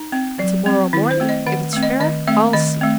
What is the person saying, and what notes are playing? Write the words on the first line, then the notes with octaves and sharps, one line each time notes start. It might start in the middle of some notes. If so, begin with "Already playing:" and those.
And to-morrow morning, if it's fair, I'll see!
Already playing: D#4
C4
F#3
C4
D#3 E4
C5
A3 C4
D#5
D#3 F#5
A3 C4
D#5
D#3 D#5
A3 C4 E5
D#3 D#5
A3 C4